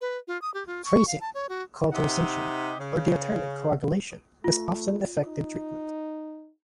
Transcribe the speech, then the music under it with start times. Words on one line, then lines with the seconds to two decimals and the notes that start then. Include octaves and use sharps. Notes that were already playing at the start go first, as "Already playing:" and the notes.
Freezing, cauterization, or diathermy coagulation is often effective treatment.
0.01 B4
0.28 F4
0.42 D#6
0.54 G4
0.67 F4
0.85 C#6
1.07 F5
1.21 A5
1.34 C#5
1.49 F#4
1.92 C3 D#4 G4 D#5 E5 F#5
2.79 C#3
4.44 A3 F4
5.28 D#4